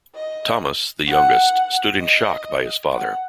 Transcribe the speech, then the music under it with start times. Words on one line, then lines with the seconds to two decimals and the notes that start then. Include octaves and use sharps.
Thomas, the youngest, stood in shock by his father.
0.15 D#5
1.07 F#5
2.00 D#5
2.92 F#5